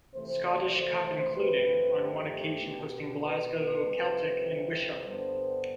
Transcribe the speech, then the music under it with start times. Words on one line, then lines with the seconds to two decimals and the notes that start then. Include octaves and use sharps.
Scottish Cup including, on one occasion hosting Glasgow Celtic in Wishaw.
0.13 F2 C3 E3 A3 C5
0.44 D5
0.75 C5
1.06 C5
1.37 G2 F3 A3 C4 B4
1.98 G4
2.61 B2 B3
3.22 B4
3.83 F2 C3 G3 C4
5.07 G2 D3 G3 B3 C5